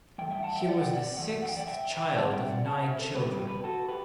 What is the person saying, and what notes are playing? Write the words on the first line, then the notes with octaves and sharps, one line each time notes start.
He was the sixth child of nine children.
G2 E3 A3 G5
E5 G5
F#5 A5
E5 G5
D5 F#5
G5
D5 F#5
F#2 E3 A3 F#5
F#5
G5
D5 F#5
E5 G5
E5 G5
D3 G3 C4 F#5 A5
E5 G5
D5 F#5
F#5 A5
C5 E5
A4 C5
C3 G3 B3 G4 B4
G4 B4
G4 B4
F#4 A4
G4 B4